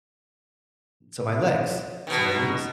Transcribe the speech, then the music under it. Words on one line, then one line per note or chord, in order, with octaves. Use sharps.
to my legs, to my knees.
B2 D#3